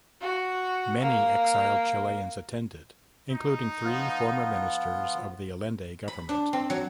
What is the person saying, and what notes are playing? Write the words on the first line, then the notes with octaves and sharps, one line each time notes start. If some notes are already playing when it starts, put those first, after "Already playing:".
Many exiled Chileans attended, including three former ministers of the Allende government.
F#4
A#3
D#4
F3 B3 F4
B5
D4
C4
F#3